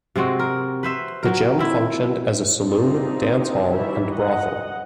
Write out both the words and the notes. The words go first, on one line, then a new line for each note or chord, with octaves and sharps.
The Gem functioned as a saloon, dance hall and brothel.
C3 G#3 C4 F#4
A#4
B4 C5 E5
F#3 A#4
C4 E4
C4 D4 D#4 F4
D#3 E3 G3 E4 E5
D#5 F#5